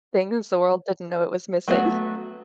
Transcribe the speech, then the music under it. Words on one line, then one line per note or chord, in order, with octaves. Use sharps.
Things the world didn't know it was missing.
F#3 A3 B3 F#4